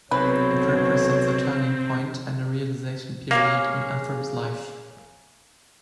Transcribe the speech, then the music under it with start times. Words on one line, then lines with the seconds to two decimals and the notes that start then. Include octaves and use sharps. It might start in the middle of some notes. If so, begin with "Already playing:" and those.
It represents a turning point and a realization period in Elvrum's life.
0.11 B1 C3 C4 B4 C#5
3.31 A#3 C#4 G#4 F5